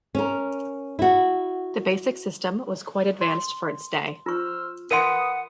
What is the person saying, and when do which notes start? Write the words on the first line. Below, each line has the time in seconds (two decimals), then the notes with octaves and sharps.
The basic system was quite advanced for its day.
0.15 C#4 A#4
0.99 E4 F#4
3.21 C6
4.26 F4 C5 C#6 E6 F6
4.91 A#4 B4 E5 F#5 C6 D#6 D#7